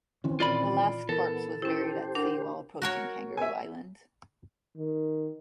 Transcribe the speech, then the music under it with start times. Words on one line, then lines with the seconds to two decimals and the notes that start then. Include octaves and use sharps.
The last corpse was buried at sea while approaching Kangaroo Island.
0.24 D#3 E3 C4 C#4
0.40 A#2 F4 D5 B5
1.09 E3 B3 A4 A#4
1.62 C#4 E4 G4 C5
2.15 D4 A#4 F#5
2.82 F#4 A#4 C#5
3.37 E5 G#5
4.77 D#3